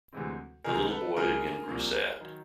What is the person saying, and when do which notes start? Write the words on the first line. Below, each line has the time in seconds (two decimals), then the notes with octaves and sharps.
The little boy again grew sad.
0.13 D2 C3 E3 G#3 C4
0.64 C#2 C3 D#3 G#4 A#4
0.90 A4 B4
1.17 C#2 C#3 F#3 G#4 A#4
1.68 C2 C3 F3 A#3
2.21 D#3 F#3